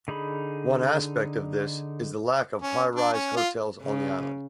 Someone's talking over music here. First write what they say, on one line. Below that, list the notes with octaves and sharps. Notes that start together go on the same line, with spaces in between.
One aspect of this is the lack of "high rise" hotels on the island.
D3 D#4 G#4 B5
C#4
D4
C#4
F4
C#3